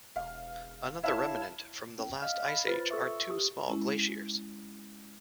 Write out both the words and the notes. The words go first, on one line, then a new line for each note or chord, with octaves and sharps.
Another remnant from the last Ice Age are two small glaciers.
E1 F5
E4 C#5 E5 F5 A5 E7
C#4
D#5 F5 F6
B5
F4 B4 C5 A6
A4 E5 C#6 D6 E6
G4 D#6
G#3 C#4 E4